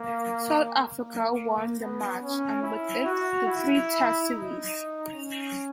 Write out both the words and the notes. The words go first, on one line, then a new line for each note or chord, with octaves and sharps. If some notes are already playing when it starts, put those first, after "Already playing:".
South Africa won the match, and with it the three-Test series.
Already playing: A#3
A#3
B3
C#4
E4
F#4
E4
D#4
C#4